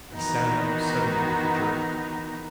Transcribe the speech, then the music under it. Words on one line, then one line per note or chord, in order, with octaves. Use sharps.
He sat up suddenly with a jerk.
D#3 E3 B3 D#4 F#4